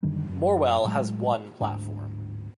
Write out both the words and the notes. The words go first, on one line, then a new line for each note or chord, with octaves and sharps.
Morwell has one platform.
F#2 D3 D#3 G3
F#2
A2 F#3 G#3
D1 G#2 D4